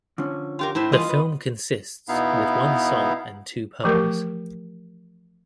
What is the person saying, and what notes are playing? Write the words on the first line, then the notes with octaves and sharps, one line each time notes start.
The film consists with one song and two poems.
D3 F3 C#4
F4 G4 A#4
A2 E4 C5
E3 G3 A#3 F4 D#5
B3 B4
B2 B3 D#4 E4 F5
E3 F3 A3 G4 A#4